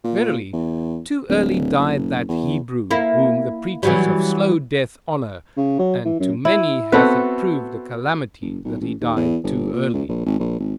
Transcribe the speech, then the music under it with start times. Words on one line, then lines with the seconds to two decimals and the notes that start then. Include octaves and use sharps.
Verily, too early died that Hebrew whom the preachers of slow death honour: and to many hath it proved a calamity that he died too early.
0.04 A#2
0.53 E2
1.29 D1
1.78 F#1
2.29 E2
2.91 A#3 E4
3.83 E3 F#3 G3
5.57 C#3
5.79 F#3
6.05 E3
6.20 F#2
6.45 E4
6.92 B3 C4 F#4 A4 B4
8.42 F#1
8.65 B1
8.81 A1
9.01 D#2
9.16 E2
9.43 G1
9.73 A#2
9.94 C#2
10.09 A#1
10.26 G#1
10.39 A#1
10.60 G#1